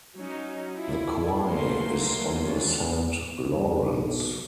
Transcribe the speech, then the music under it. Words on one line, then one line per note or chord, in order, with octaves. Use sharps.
The quay is on the Saint Lawrence.
F#3 C#4 D#4
E4 F4
E3 F#3 A3 A#3 A#4 C6
G#3 A#3 C#4 D4 F4
G2
B1